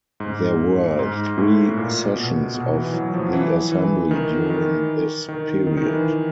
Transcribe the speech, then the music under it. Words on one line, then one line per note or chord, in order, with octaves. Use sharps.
There were three sessions of the assembly during this period.
G#2
G#2
A2
A#2
B2
B2
E3
F#3
F3
E3
E3
D#3
D#3
D#3
D#3
D#3
E3